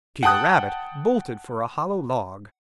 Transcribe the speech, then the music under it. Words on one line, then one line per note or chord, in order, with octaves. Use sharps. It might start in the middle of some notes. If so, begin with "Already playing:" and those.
Peter Rabbit bolted for a hollow log.
F#5 G5 A5 D#6 F#6